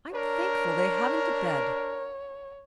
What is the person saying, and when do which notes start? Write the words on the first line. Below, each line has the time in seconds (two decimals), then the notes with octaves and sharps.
I'm thankful they haven't a bed.
0.13 D4 A#4 C#5